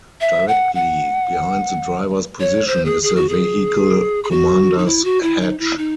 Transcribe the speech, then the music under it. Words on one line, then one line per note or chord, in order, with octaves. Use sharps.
Directly behind the driver's position is the vehicle commander's hatch.
E5
F#5
F#5
C#5
C5
G#4
G#4
F#4
G#4
G#4
F#4
D#4
E4
F#4
E4
D#4
E4
D#4